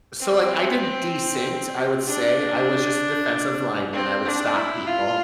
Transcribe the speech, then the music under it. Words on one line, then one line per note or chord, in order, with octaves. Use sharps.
So, like, I did decent, I would say, I was just a defensive lineman, I would stop people.
C4
D4
C4
D4
E4
F4